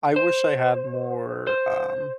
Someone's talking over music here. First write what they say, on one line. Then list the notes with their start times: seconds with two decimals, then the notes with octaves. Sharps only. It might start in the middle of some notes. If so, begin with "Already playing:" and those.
I wish I had more, um
0.16 C5
1.47 C5